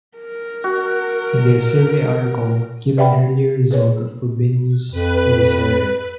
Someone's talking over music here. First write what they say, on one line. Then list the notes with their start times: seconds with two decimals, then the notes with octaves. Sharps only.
In their survey article, give an earlier result of Frobenius in this area.
0.17 A#4
0.64 F#4
2.97 B4 D5 E5 F#5 G5 B5
3.71 G#4 B4 C#5
4.92 F2 B4